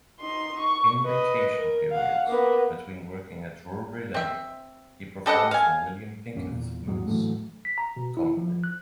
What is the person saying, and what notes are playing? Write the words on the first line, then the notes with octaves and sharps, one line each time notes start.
In "vacation periods" between working at Drury Lane, he performed for William Pinkethman's company.
D#4 C6
C#6
B4 D#5
A#4
F5 F#5
A#3 B3
C4 E5
G3 A4 D#5 F#5
F5 G#5
A#1 F#2 A#3 C#4
E2 A#2
E2 G#2 F#3 G#3
A2 E3 F#3 A3
B6
A#5
B2
E4
F3
F#6